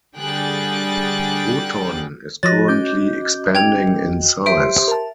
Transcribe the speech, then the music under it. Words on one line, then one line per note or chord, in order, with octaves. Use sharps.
Wootton is currently expanding in size.
D3 G3 G#4 G5 F#6 A6
F3 F#4 C#5 D#5 A6 A#6
C#4 D6 G6
G5 G#6 F7
G4 C5 E5 C6 D7
A#4 A5